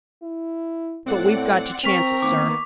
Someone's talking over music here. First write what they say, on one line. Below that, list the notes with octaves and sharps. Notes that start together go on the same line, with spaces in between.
But we've got to chance it, sir.
E4
A2 C4 D5 F#5
C4 A#4 C#6 B6 F7
D#3 A#3 B3 D6